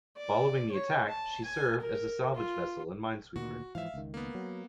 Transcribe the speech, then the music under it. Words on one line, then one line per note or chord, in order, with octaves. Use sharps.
Following the attack, she served as a salvage vessel and minesweeper.
D5
C#5
A5
G#5
A#4
F4
D2 A#2 D#3 F#4
G#2 E3 F3 E5 F5
C#2 D#3
A#3 B3
F#3